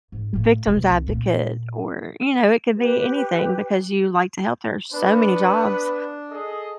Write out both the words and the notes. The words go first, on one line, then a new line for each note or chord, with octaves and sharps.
victim's advocate or, you know, it could be anything because you like to help, there are so many jobs
G#2
A2 A#3
B2
C2
A#2
G4 B4
B3 D4 B4
G#4 A4 D#5